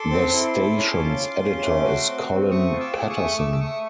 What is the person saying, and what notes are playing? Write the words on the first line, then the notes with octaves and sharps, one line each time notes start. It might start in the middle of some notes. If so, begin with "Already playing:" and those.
The station's editor is Colin Paterson.
Already playing: A4 C6 D6
C4
E4
A4
C#4
F4
F4
C#4
A3
F#4
C4
C4
A3 C#6 D#6
F4
D6 E6
G#4
C#6 D#6
A3
A3 D6 E6
E6
A3 C#6 D#6